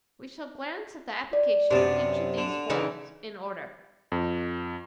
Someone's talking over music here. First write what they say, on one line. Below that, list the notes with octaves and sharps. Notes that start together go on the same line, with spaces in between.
We shall glance at the applications of each of these forms in order.
D5
F#2 C3 B3 D4
D3
C#3 E3 D#4
F2